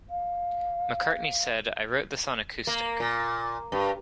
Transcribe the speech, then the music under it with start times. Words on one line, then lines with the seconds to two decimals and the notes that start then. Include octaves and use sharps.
McCartney said, I wrote this on acoustic.
0.10 F5
2.67 A#3
3.00 A#2
3.72 G2